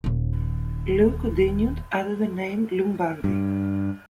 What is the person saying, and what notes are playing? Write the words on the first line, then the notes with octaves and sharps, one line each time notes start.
Lou continued under the name "Lou Bandy".
D#1 D#2
G2